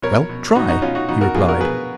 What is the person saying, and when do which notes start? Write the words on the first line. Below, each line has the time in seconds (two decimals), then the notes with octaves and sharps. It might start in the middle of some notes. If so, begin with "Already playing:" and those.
"Well, try," he replied.
0.02 B2 A#4 C#5
0.29 B2
0.55 B2 D#4 F#4
0.69 D#4 F#4
0.82 B2 C#4 F4
0.95 D#4 F#4
1.08 B2 D#4 F#4
1.21 F#4 A#4
1.35 B2 F4 G#4
1.49 F#4 A#4
1.61 B2 G#4 B4